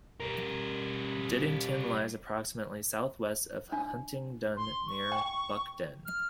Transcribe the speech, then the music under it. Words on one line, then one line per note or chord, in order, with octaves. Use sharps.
Diddington lies approximately south-west of Huntingdon, near to Buckden.
G3 A#4
D4
C6
C#6
G5
F6